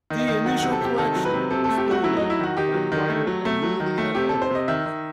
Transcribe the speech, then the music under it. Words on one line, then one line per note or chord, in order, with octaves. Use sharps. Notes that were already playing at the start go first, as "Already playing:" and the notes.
The initial collection was donated by the writer Amelia Edwards.
D#3
D#5
D#3
F#3 F#5
C3 F#5
A4
C3 G4
D#3 A4
F#3
B4
C3
C3 A4
A3 A4
G4
A3 F#4
F#3 E4
F#3 D#4
E4
D#3 F#4
D#3 G4
F#3
D#3
A3
F#3
A3
F#3
D#3
A3
C3 G4
C3 A4
C5
C3 D#5
D#3 E5
D#3